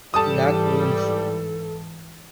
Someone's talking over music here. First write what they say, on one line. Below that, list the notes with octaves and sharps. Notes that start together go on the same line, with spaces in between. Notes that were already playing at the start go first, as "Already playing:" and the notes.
Black Rooms!
G#2 E3 G3 A4 A5 D#6